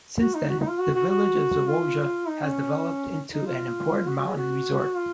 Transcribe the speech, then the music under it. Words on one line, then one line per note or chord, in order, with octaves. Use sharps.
Since then the village of Zawoja has developed into an important mountain resort.
F#4
D#4
F#4
D#4
F4
F#4
F#4
F#4
F4
D#4
C#4
D#4
F4
F#4
F#4
G#4
F#4
F4